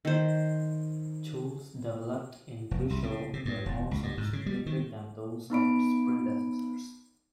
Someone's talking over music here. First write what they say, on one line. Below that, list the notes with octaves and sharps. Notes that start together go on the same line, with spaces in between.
Tools developed in Gwisho were more sophisticated than those of its predecessors.
D#3 C5
F1
C2
C#3
C3
G2
E1
C#2
G2
G#2
C#3
G3
D#3
B3 D#4 B5 D7